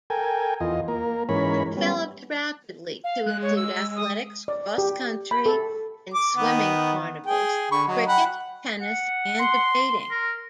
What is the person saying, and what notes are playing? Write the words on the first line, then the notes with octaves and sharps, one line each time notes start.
It developed rapidly to include Athletics, Cross-Country and Swimming carnivals, Cricket, Tennis, and Debating.
A4 A#4 G5 G#5
E2 F4 D#5
A#3 A#4
G#2 E3 C#4 A#4 C#5 B5
G3 B3 C#4
F5
G#3 F#6
C#5
E6
D#6
D5
G4
B5
A4
D6
D#3 B3
G#4 G5
D3 B5 C#6
F#3 D#5
F#5 G5 B5
F#5
C6
A#4